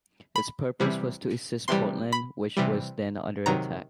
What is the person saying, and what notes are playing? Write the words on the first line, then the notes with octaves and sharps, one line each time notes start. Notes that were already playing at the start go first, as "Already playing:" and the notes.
Its purpose was to assist Poland, which was then under attack.
B5
C3 E3 G3
C3 E3 G3 C6
B5
C3 E3 G3
C3 D#3 F#3 A#5